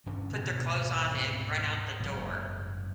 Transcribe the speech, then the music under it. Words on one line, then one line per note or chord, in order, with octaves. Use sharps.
put their clothes on, and run out the door,
G2 D3 C#4 D4
D2 G#2 B2 A3
F#1 G#2